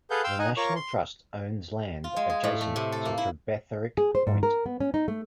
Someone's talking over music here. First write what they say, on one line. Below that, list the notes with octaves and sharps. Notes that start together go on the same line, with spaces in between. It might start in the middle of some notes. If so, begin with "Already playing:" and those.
The National Trust owns land adjacent to Trebetherick Point.
G#4 A4 B4 F5 F#5 G6
F5 G5 C6 E6
D#4 D#5 F#5 G#5
F4 A#4 C#5 C#6 D6
C6
F4
G#3
G#4
A2
A3
C3
A4
A#3
E4
G#4
C5
G#2
A#4
B3
C#4
D#4
A3